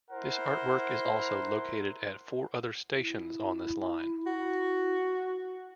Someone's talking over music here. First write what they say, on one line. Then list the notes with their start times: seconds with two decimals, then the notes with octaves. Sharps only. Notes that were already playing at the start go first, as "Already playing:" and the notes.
This artwork is also located at four other stations on this line.
0.11 E4 A#4 C5 F#5
2.94 E4
4.27 F#4